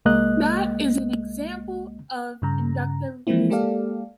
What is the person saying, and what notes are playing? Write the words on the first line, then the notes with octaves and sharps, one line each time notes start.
That is an example of inductive reasoning.
C2 G#3 A#3 D#5 F#6
G2 C#3 A#5
E3 F3 G#3 A#3 C4 E4
G#3 A#3 G4 A4 D5 F5